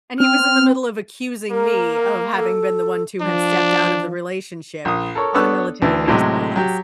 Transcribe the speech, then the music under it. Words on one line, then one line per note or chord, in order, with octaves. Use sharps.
and he was in the middle of accusing me of having been the one to have stepped out of the relationship, on a military base, no less.
C4 F6
A#3 A#4
A4
F3 D4
A#1 D#6
A4 A#4 C#5
B3 D4 A4 C#5 E6 F#6
D2 E3
A2 C3 F#3 G#3
F#3 G4